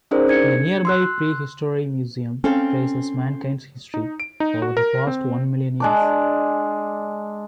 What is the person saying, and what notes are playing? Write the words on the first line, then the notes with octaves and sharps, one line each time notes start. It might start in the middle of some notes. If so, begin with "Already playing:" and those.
The nearby Prehistory Museum traces mankind's history over the past one million years.
C#4 D#4 G#4 A#4 C5 D5
D4 G#6 C#7
C6 E6 F#6
C4 C#4 A4 F5
D#4
D7
D#4
F#4
A#4
C4
G#3 D4 D6